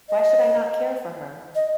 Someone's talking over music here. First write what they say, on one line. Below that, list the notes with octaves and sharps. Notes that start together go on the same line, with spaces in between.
Why should I not care for her?
D#5
D#5